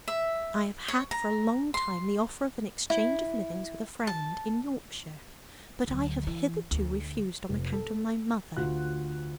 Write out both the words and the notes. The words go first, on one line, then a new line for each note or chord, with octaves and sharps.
I have had for a long time the offer of an exchange of livings with a friend in Yorkshire, but I have hitherto refused on account of my mother.
E5
C#5
A#5
C6
E4
A5
D2 F#3
E3
D2
F1
A4
D2 F4 F#4 F#6